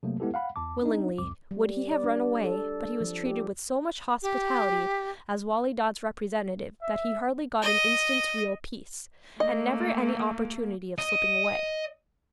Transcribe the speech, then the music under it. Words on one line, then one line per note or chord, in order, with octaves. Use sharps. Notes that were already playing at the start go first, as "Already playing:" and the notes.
Willingly would he have run away; but he was treated with so much hospitality as Wali Dad's representative, that he hardly got an instant's real peace, and never any opportunity of slipping away.
C3 F#3 A3 A#3
G#3 B3 E4 G4 A4
F5 F#5 B5
E2 A5 D6
C4 D4 D#4
C2 F2 D6
G3
D5
D4
A4
F3
G4
G4
E5
D#5
A3 A#3 D#5
D#5